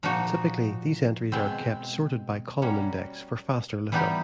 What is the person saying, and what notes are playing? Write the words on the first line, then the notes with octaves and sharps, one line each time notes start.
Typically, these entries are kept sorted by column index for faster lookup.
A#2 F3 A#3 D#4 F#4
B2 G#3 C4
G3 A#3 C#4 F#4
E3 G3 B3 D#4 G4